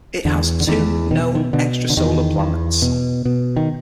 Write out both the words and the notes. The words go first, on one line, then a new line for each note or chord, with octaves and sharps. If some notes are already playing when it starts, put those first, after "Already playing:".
It has two known extrasolar planets.
E2 D3
D3
E2 D#3
B2 D#3
E3
D#3
B2 D3
D3
E2 D#3
E2
B2
B2
D#3